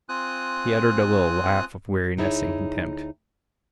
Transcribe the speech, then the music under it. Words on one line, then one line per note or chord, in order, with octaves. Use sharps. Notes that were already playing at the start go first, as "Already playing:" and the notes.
He uttered a little laugh of weariness and contempt.
C4 F4 G#5 D#6 F#6
D2 D#4 E4 G#4 C#5